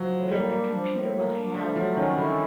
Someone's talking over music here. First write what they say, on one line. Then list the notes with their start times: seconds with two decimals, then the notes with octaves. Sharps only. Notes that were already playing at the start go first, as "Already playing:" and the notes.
that the computer will have
Already playing: F3 F#3
0.12 A2
0.31 G3 A#3
0.53 D4
0.73 F3
0.93 A2
1.14 A#3
1.35 D4
1.55 G3 A3
1.76 F3 F#3
1.96 D#3 C#4
2.17 D3 E4